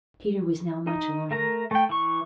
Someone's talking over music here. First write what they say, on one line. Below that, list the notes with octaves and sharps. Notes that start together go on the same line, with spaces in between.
Peter was now much alarmed.
D#4
A3 A#4 A#5
A3 G5
E3 C#6